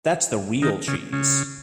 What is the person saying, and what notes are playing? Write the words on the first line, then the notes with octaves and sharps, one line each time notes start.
That's the real cheese.
D#3
C#3
C#3